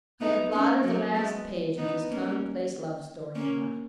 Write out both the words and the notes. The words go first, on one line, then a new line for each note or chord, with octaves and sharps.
I have blotted the last page of this commonplace love-story of mine.
B3 D#4
A#3 C#4
F#3 A#3
G#3 B3
B3 D#4
A#3 C#4
A#3 C#4